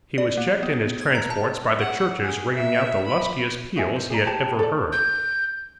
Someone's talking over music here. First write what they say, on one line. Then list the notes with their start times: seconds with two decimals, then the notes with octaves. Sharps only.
He was checked in his transports by the churches ringing out the lustiest peals he had ever heard.
0.18 D5
0.37 A#3
0.63 B3
1.01 G#6
1.15 A#5
1.30 A5
1.78 F#5
2.21 G#4
2.53 E5
3.07 B5
3.76 F#4 D#5 E5 G#5
3.96 C5
4.10 G#4 D5 A#5
4.25 G4 A5
4.59 A4 D5
4.92 G6